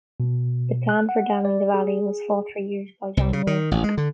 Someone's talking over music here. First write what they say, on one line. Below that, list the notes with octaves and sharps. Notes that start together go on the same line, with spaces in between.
The plan for damming the valley was fought for years by John Muir.
B2
F#6
F#5
D5
G#4
C2
C#3
D#3
A1
G#3
D3